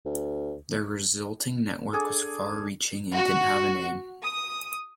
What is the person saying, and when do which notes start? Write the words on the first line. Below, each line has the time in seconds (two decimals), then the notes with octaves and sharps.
The resulting network was far reaching and didn't have a name.
0.05 D2
1.93 D4 G#4 A4
3.13 F#4
4.23 D#6